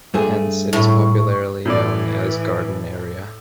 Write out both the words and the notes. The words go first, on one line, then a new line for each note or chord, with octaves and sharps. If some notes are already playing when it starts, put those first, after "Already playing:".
Hence it is popularly known as 'Garden' area.
G2 A3 G#4
A2 E4 C#6
A2 E3 D5